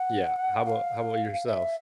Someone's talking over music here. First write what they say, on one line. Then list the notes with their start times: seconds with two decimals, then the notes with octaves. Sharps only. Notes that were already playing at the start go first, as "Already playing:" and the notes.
Yeah, how 'bout how ‘bout yourself?
Already playing: F#5
0.65 F5
1.47 E5